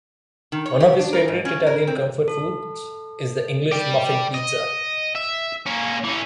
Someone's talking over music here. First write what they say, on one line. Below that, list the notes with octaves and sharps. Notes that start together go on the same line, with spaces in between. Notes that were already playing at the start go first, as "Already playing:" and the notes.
One of his favorite Italian comfort foods is the English muffin pizza.
D#3
C#5
G4
D4
A#4
G#2
C#4
A#4
C4
A4
D5 G5
D#5
E5
A#3 C#4
E3 C#4